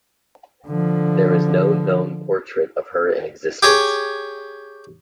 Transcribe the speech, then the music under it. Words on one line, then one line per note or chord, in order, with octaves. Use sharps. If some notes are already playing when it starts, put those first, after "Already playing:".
There is no known portrait of her in existence.
D3 F3
G4 G#4 C#5